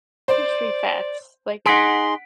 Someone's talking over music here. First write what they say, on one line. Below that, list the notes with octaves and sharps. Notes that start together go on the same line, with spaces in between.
history facts", like
C5 D5
D#4 G#4 F#5 C6 B6 D7